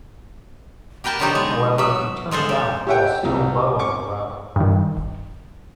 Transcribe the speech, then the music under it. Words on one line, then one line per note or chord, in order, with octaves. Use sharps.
However he turned back while still low on the route.
G4 A#4 B4 G5 A5
B2 D3 F3 F#3 D#4 G4
G#3
F#3 E5
F3 G#3 A4 C5
G4
G4 C#5 E5 F#5 G5
C2 G3
C#6 D6
G2 D#3